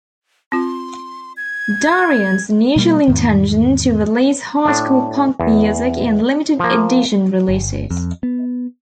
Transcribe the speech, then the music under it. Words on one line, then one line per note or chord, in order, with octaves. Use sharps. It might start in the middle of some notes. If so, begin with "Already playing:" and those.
Dorrian's initial intention to release hardcore punk music and limited edition releases.
C4 F4 C6
G#6
B2 G3 A#3
E2 G#2 D#3
A2 D4
E2
F3 A#3
G1
F2
B3